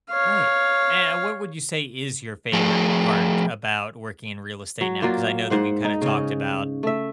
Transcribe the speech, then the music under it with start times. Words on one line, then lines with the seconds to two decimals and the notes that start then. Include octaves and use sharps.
Right, and what would you say is your favorite part about working in real estate now? 'Cause I know that we kinda talked about
0.10 C#5 F5
2.53 F3 A3 G#4
4.81 F#3
5.02 F#3 A#3 F4 D5
5.50 G#2 C5 F#5
5.84 D#4
6.02 C#3 C#4
6.83 A3 E5